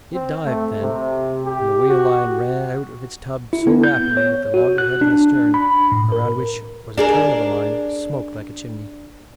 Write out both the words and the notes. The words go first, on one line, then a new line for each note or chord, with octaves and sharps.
It dived, then, and the whale line ran out of its tub so rapidly that the loggerhead in the stern, around which was a turn of the line, smoked like a chimney.
C4
A3
C3
G4
F#4
E4
B3
G6
C#5
F#4
F#6
D4
B5
A2
A#4
D4 G#4 A#4